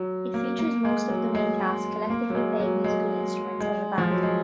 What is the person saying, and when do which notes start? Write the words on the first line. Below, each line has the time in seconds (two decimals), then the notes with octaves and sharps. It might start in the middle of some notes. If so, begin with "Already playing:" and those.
It features most of the main cast collectively playing musical instruments as a band.
Already playing: F#3
0.34 A#3
0.59 A#3
0.85 G#3
1.10 F#3
1.35 G#3
2.10 A#3
2.30 F#3
2.35 G#3
2.60 F#3
2.84 G#3
3.60 G#3
3.98 F3
4.10 F#3
4.23 G#3